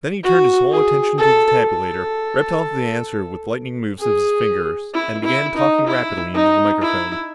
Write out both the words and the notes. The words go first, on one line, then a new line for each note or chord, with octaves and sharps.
Then he turned his whole attention to the tabulator, ripped off the answer with lightning moves of his fingers and began talking rapidly into the microphone.
F#4
G#4
A4
A4
G#4
E4
E4
D#4
E4
D#4
E4